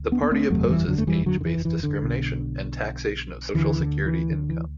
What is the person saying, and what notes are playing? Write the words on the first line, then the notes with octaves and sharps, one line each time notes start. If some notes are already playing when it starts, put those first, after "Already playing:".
The party opposes age-based discrimination and taxation of Social Security income.
Already playing: D2
B3 D4
B3
A3 C4
F#1 E2 C3 F#3 A3
E3 G3
D3 F#3
A3
E3 G3
D3 F#3
D3
E3
E3
D3
B1 B2
D2 D3 E3
D3
E3
D3
E3